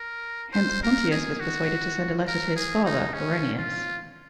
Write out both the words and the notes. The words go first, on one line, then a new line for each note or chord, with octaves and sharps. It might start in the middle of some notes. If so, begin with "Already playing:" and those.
Hence Pontius was persuaded to send a letter to his father, Herennius.
Already playing: A#4
C5
A#4
G#4
F#4
A#4
G#4
D#4
C#4
F4